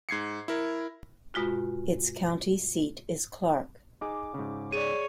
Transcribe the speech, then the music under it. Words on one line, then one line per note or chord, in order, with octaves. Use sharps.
Its county seat is Clark.
G#2 G#6 C7 C#7
E4 A#4
G2 B2 G#3 F4 F#4
D#4 G#4 D6
G#2 C#3
G#4 C#5 D5 D#7